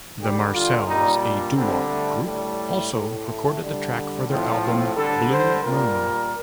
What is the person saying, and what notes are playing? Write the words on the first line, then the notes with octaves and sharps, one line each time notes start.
The Marcels, a doo-wop group, also recorded the track for their album "Blue Moon".
D3 G3 G4
F4
A#2 G3 D#4
D4
D3 G3 C4
A3
A2 G3 A3
A2 A3
D3 G3
A2 F3 A3 C4
C4
D3 G3 A4
C5
A#2 G3 A#4